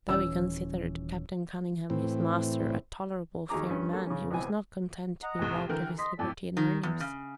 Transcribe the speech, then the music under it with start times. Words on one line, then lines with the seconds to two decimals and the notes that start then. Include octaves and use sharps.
Though he considered Captain Cunningham, his master, a "tolerable fair man," he was not content to be robbed of his liberty and earnings.
0.09 D#1 E3 C#4 E6
1.90 A2 E3 C4
3.49 D#2 F#4 G#4 A#5 D6
3.69 G2 C#4
3.93 G3 A#3 A4
4.06 C#3 C#4
4.31 C#2 B2 E3 C4 G#5
5.23 D#5 F#5 A#5
5.39 C2 A2
5.69 D3 E3 A#4 G5
5.99 D#5 C6 B6
6.19 F2 A2 A4 D5
6.57 D#3
6.83 E2
7.00 C#3